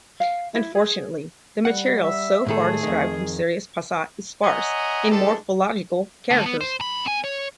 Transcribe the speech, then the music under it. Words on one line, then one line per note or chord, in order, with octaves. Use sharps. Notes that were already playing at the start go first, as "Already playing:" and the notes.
Unfortunately, the material so far described from Sirius Passet is sparse in morphological characters.
F5
E4
G#4
G3 F#5
E5
A2 D#3 A3 G#4 A4
F2 D#3
C#5 D#5 E5 F#5 G#5 A#5
E3 G#3 D4 G4 A4 A5
D3 A3
B3
C5
F#2 B5
C4 G#5
C#5